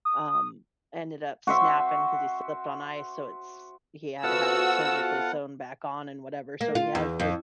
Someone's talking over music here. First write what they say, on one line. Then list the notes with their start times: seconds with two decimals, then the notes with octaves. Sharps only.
um, ended up snapping, 'cause he slipped on ice, so it's he had to have it surgically sewn back on and whatever, so he has this
0.05 D#6
1.47 F#4 C5 E5
4.23 B3 F4 F#4 A4 C5 E5 F#5 E6
6.61 A#3
6.75 F4
6.95 E2
7.20 F2